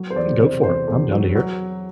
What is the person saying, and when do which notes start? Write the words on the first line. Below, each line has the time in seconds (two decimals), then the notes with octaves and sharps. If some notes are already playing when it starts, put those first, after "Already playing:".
Go for it, I'm down to hear it.
Already playing: F#3
0.10 C5
0.15 E2 D5
0.40 C3 C5
0.63 E2 C5
0.88 E2
1.11 F#3
1.35 F#3